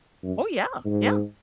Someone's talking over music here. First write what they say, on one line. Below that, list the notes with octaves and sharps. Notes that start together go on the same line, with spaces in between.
Oh, yeah, yeah.
F#2
G#2